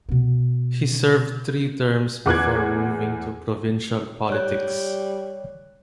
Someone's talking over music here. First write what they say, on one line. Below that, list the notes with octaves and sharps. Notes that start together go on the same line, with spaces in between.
He served three terms before moving to provincial politics.
B2 B3
E2 D6 F#6 G#6
G3 C#5 F#6